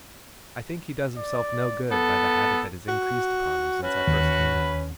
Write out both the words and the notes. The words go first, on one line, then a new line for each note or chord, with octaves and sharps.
'I think he does himself no good by the habit that has increased upon him since I first came here.
D5
B3 A4
F#4
C#4 F#4 B4
D#2